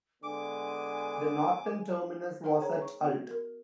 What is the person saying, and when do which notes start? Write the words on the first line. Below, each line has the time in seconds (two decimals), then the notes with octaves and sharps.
The northern terminus was at Alt.
0.23 D3 G#3 B3 G#5 D6
2.44 D#4 A#4 C5 F#5 G5
2.60 G#4 C#5 A#5
2.82 C#6
3.01 B3 F#4
3.31 A#4